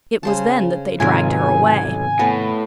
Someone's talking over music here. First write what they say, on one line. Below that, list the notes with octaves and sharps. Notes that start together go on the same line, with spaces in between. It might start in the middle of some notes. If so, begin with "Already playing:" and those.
It was then that they dragged her away.
C#3 C5 A5
B1 G#2 C3 D#3 F4 A#4 G#5
A2 B3